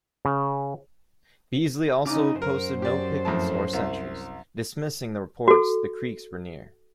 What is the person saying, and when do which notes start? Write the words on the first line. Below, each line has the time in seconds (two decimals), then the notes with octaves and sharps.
Beasley also posted no pickets or sentries, dismissing the reports the Creeks were near.
0.25 C#3
2.05 C#3 C#4 D#4 D6
2.42 F#2 A#4 C5
2.82 G4 D5
3.25 F2 A2 A5
3.73 C2
5.48 F#4 A4